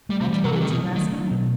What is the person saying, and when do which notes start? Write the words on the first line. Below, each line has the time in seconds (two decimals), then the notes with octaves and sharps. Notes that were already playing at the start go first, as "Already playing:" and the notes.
"I told you last night."
0.09 G3 A3
0.21 C3
0.27 E3
0.33 G3
0.44 C3 F#3
0.52 E3
0.61 C3 D#3
0.70 B2
0.78 F#3
0.95 D#3 A3
1.13 F#3
1.31 B2